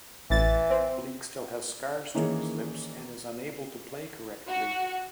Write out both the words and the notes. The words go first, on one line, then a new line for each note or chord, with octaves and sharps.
Bleek still has scars to his lips, and is unable to play correctly.
A1 E3 A6
C4
D#3 E3 A#3 C#4 G#4 C#5
F#4